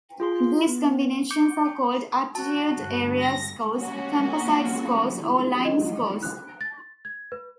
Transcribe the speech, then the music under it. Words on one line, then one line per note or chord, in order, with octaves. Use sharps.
These combinations are called "aptitude area scores", "composite scores", or "line scores".
F4 G#4 C6
B3
D6 G6 C#7
F#4 A5
G2 D3
A#6
A#3 C#4 F#4
D#5
F#6
A6
G#6
B4